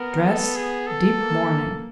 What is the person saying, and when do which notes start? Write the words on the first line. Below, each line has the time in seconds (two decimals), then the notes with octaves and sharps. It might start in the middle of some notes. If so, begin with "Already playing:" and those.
Dress--deep mourning.
Already playing: B3 A#4
0.24 A4
0.56 G#4
0.87 A4
1.18 A#3